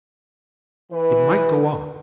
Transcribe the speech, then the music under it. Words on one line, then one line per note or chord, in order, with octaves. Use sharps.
"It might go off!"
E3 B4